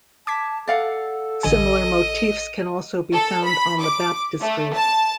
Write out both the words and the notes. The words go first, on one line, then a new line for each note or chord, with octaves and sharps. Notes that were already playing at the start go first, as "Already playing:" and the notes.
Similar motifs can also be found on the baptistery.
A5 D6 G#6 B6
A4 D5 F5 F#5
A1 D3 D#5 G#5
A4
B5
D6
A3
A5